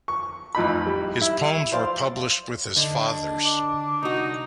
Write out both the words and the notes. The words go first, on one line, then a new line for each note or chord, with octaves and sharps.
His poems were published with his father's.
C#6
A1 F2 D#4 B5
G3
E4
C5 D5 F5 C6
D3 D4 D#5
D6
C2 D#4 F#4